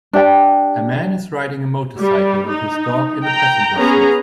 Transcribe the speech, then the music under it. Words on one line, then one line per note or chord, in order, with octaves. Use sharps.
A man is riding a motorcycle with his dog in the passenager seat.
D4 G4 G5
G3
D#4
G5 A#5
B3 C#4 G#4 A#5